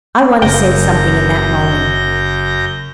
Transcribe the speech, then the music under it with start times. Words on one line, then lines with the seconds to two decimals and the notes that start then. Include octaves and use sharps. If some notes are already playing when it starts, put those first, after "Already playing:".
I want to say something in that moment.
0.42 F#1 F#2 C#3 A#4 G5 G6 A#6